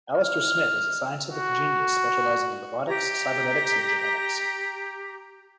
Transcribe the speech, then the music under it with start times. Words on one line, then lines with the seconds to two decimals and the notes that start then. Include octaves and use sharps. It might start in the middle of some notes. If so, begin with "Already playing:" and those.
Alistair Smythe is a scientific genius specializing in robotics, cybernetics and genetics.
0.14 F6
1.29 F#4
2.86 G4 A#5